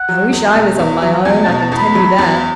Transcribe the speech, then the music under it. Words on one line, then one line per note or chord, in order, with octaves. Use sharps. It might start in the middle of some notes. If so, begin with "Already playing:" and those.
"I wish I was on my own, I can tell you that."
Already playing: F#5
F#3
E2
B2
E2
F#3
E2 G#5
A5
B2
A5
E2
B5
F#3
E2